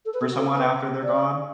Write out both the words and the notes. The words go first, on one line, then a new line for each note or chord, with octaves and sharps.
for someone after they're gone,
A4
B4
A4
F#4
A4
B4
D5